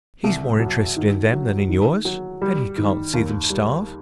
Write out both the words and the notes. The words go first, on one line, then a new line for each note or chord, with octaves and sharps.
He's more interested in them than in yours, and he can't see them starve.
C2
F#3
D#3
F#3
D#3
F#3
G3
D#3
D#2
G3